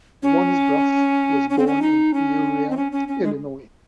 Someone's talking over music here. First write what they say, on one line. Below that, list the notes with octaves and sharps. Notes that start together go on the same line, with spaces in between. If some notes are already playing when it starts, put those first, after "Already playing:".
Wansbrough was born in Peoria, Illinois.
C#4
C#4
C4
C#4
D#4
C#4
C4
C#4
C#4
C#4
G#3